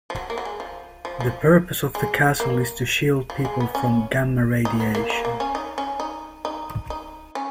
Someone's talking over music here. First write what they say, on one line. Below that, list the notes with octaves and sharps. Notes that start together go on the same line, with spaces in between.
The purpose of the castle is to shield people from gamma radiation.
F3
F#3
A#3
F#3
G#3
F3
F3
F3
G#3
A#3
F3
G#3
B3
C#4
D#4
B3
A#3
A#3
A#3
C#4
D#4
C#4
D#4
D#4
D#4
C#4